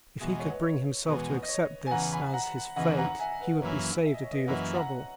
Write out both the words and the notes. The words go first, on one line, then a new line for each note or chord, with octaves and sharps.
If he could bring himself to accept this as his fate he would be saved a deal of trouble.
E2 B2 G#3 E5
D#5
C#5
B4 D#5
C#5
E2 B2 G#3 B4
D#5
C#5
G#5
E2 C#3 E3 F#5 A#5
G#5 B5
F#5 A#5
E2 C#3 E3 D#5 F#5
F#5 A#5
E5 G#5
B4
F#2 E3 A#3 E4 C#5
E5
D#5
C#5
B4 D#5
F#2 E3 A#3 E4 D#5 F#5
F#5 A#5